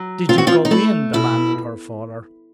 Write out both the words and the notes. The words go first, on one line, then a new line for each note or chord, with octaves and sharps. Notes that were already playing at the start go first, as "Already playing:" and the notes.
"Did you go in?" demanded her father.
Already playing: F#3
C4 F4
F#4
F3 F4
D#4
A3 E4
B2 E4